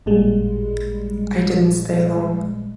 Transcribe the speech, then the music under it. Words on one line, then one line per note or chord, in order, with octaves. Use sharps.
I didn't stay long.
A1 A#2 G3 G#3